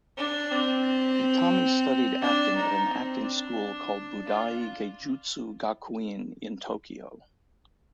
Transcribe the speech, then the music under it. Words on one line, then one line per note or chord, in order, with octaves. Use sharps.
Itami studied acting at an acting school called Budai Geijutsu Gakuin in Tokyo.
D4
C4
D4
D#4
C4
D4
F4